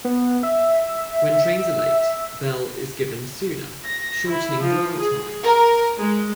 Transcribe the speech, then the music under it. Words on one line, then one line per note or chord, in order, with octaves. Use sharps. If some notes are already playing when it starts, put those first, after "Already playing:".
When trains are late, bell is given sooner, shortening dwell times.
B3
E5
A#6
E4
F3
G#4
A#4
G#3